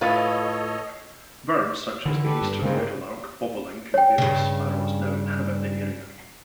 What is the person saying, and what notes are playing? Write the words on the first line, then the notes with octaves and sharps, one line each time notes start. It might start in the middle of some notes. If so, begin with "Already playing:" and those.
Birds such as the Eastern meadowlark, bobolink, and various sparrows now inhabit the area.
A2 F4 A4 B4 C#5 D#5
D3 E3
G4 A4 B4
G2
G2 C#3 G#3 A#3 C4
C#5 G5
G2 C#3